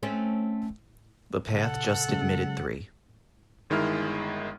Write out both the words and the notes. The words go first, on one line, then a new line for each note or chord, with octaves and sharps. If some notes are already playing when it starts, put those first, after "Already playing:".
The path just admitted three.
A3 C4 C#4
A#2 C#3 A4 F#5
C#3 F#3 G#3
G1 D#3 G#3 E4 F6